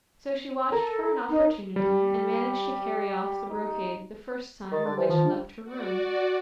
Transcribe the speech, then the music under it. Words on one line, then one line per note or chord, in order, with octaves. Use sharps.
So she watched for an opportunity and managed to carry off the brocade the first time the witch left her room.
A4 A#4
D#4
G3 G4
D#4
D#3 A6
D3
E3 C5
D#3 F3
D4
F#4 D5